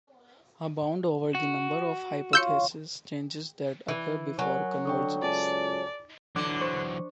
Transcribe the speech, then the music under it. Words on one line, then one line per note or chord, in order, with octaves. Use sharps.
A bound over the number of hypothesis changes that occur before convergence.
F#4
F4 C#5 E6 G6 C#7
E3
F#3 A#4 G#5
D3 G5 C#6 D#6
C#2 A4 D5 G#5 A5
D3 E3 F#3 D6
C5 C#6